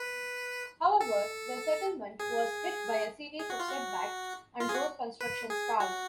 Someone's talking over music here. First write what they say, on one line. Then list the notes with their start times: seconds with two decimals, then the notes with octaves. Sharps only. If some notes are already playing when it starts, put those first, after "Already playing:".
However, the settlement was hit by a series of setbacks and road construction stalled.
Already playing: B4
1.01 A4
2.20 G#4
3.39 G#4
3.50 F#4
3.59 F4
3.69 F#4
4.60 F4
4.69 G#4
4.75 F#4
5.21 B4
5.50 G#4
5.80 F#4